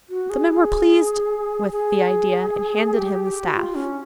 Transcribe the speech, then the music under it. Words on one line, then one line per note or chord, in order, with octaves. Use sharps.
The men were pleased with the idea, and handed him the staff.
F#4
G#4
G#4
G#4
G4
G4
F#4
F4
C#4